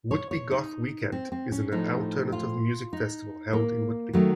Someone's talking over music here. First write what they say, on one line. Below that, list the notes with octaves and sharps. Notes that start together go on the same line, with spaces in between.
Whitby Goth Weekend is an alternative music festival held in Whitby.
C#5
C#5
D#4
C4
C4
C#4
A2 F3 D#4
F4
D#4
A#3
D#3 F#3 A3